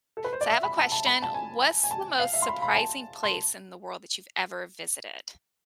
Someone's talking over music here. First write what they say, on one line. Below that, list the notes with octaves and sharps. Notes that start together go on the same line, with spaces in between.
So, I have a question. What's the most surprising place in the world that you've ever visited?
A4
B4
C5
D5
E5
B5
A5
A5
B5
A5
G#5
G#5
A5
F5
E5
C6
B5
B5
G#5
A5
C6